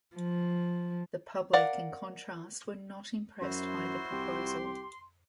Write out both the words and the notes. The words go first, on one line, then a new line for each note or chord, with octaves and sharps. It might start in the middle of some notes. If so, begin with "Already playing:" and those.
The public, in contrast, were not impressed by the proposal.
F3
A#4 D5 F5 F#5
F#2 E4 F#4 C5 C6
C2 G4